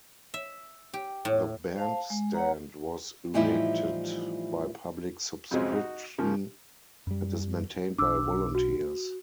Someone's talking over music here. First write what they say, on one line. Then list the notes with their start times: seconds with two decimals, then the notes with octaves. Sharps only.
The bandstand was erected by public subscription and is maintained by volunteers.
0.34 E5
0.94 G4
1.25 A2
1.76 C5 F5 A5
2.10 G#3
2.34 C#5 F#5 A#5
3.34 A2 E3 F3 G3 D#4 E4
5.51 F2 C3 F#3 G#3 C4 C#4
5.72 D#4 F#4
6.18 C#3 F3 A#3
7.07 F#2 G3
7.98 B1 D4 D6 E6
8.55 F#4